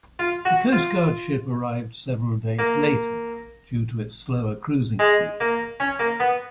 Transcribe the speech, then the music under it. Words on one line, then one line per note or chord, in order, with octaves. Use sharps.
The coast guard ship arrived several days later, due to its slower cruising speed.
F4
F#4
F4
A#3
G#3
A#3
C#4
A#3
B3